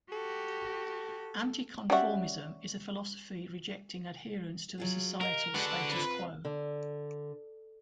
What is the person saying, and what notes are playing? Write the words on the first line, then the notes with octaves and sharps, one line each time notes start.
Anticonformism is a philosophy rejecting adherence to the societal status quo.
F#4 G4 A4
G3 C#4 F#4 D5 E5
F#3 F4 G#4
G4 A#4 D#5 F5
D3 G#3 D4 F#4 B4 F#5
C3 C4 F4 B4
D3